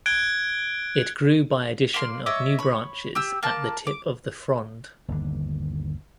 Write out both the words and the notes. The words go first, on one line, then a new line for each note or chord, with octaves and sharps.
It grew by addition of new branches at the tip of the frond.
F#6 G#6 D7 G7
A#3 C6
C#5 D#5 E5 D6
C#5 B5
G4 E6
A#3 A5
D6
G1 D#2 D3